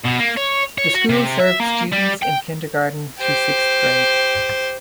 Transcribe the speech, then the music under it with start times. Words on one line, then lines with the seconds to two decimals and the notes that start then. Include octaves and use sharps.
The school served students in kindergarten through sixth grade.
0.05 B2
0.20 A#3
0.37 C#5
0.78 C#5
0.94 F#4
1.09 C3
1.40 E5
1.60 A#3
1.92 G3
2.22 G5
3.20 G4 C5